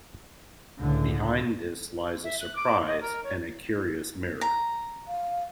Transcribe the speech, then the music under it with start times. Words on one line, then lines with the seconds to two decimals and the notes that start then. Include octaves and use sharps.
Behind this lies a surprise, and a curious mirror.
0.78 C#2 A2 D3
2.24 E5
2.41 F#6
2.55 D6
2.86 D#5
3.00 A#4
3.24 C#5
4.41 A#5
5.08 F5